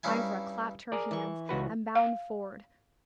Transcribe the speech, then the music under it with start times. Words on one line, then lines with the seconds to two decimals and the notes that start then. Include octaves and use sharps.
Ivra clapped her hands and bounded forward.
0.03 G2 C#4 D#4 E4 G#5
0.92 G#4 A#4 D5
1.11 E3 C#6
1.49 C#2 F#4 B4
1.95 F5